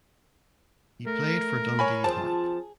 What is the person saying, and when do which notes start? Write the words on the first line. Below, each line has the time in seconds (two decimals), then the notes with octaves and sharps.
He played for Dundee Harp.
1.07 A3 A#4
1.79 C#5 G#5 B5
2.04 F3 C4 G#4 A5